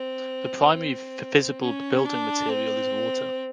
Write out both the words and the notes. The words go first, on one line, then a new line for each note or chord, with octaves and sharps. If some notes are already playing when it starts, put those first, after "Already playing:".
The primary visible building material is water.
Already playing: C4
C4
C#4
D4
C4